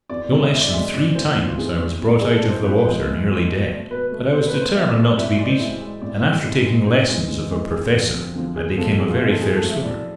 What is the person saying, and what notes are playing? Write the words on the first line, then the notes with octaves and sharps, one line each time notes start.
No less than three times I was brought out of the water nearly dead; but I was determined not to be beaten, and after taking lessons of a professor I became a very fair swimmer.
E2 D5
D3 G#3
E2 E5
D5
D3 G#3 E5
G#2 D5
E3 A3 C5
G#2
F4
E3 A3 G#4
A2
E3 G#3
A2 G#4
A4
E3 G#3
C5
A2 B4
B4
F3 G#3 C5
A2
F3 G#3
B2
A3
B2 B4
A3
B2 C5
B4
A3
C5
B2 E5
D5
A3
D5
A2 E5
E5
G#3 D5
C5
A2 E5
G#3
A2 D5
G#3
A2
G#3
G#2 C5
E3 G#3
G#2
E3 G#3
F2 G#4
D3 F3
F2
D3 F3
E2 G#4
C3 F3 G#3 A4
E2 G#4
F4
C3 F3 G#3 G#4
A4
A2 G#4
A4
F3 A3
E5
A2 D5